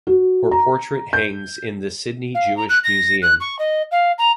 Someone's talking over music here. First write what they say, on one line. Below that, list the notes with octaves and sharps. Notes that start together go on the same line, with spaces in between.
Her portrait hangs in the Sydney Jewish Museum.
F#4
A#5
G6
F5
A#5
F#6
A#6
F#6
C#6
D#5
F5
A#5